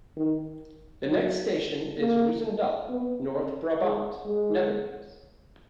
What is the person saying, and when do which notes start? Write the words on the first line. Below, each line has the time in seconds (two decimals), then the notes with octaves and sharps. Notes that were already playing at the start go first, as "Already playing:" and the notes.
The next station is Roosendaal, North Brabant, Netherlands.
0.17 D#3
1.07 F#3
1.99 A#3
2.89 B3
3.81 G#3
4.26 G#3